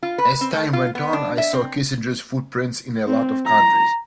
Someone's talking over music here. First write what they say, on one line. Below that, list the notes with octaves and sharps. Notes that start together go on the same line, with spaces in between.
As time went on I saw Kissinger's footprints in a lot of countries.
F4
B4
C4
A3
F4
B3
D4
E5
C4
C4
A#5